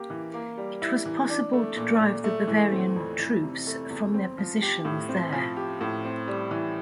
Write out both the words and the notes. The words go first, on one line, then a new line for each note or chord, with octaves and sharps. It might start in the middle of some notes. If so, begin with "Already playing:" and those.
It was possible to drive the Bavarian troops from their positions there.
Already playing: A#3 G4
E3
A#3
G3
E4
E3
D4
A3
A#2
A#2
A3
E3
C4
F2
E3
C3
A3
E2
C4
F3
G4
A2
C4
F3
G4
A2
C4
G3
E3